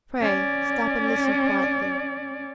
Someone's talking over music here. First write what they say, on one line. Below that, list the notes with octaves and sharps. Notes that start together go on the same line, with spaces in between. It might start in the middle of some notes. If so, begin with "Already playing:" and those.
Pray, stop and listen quietly.
C#4 D5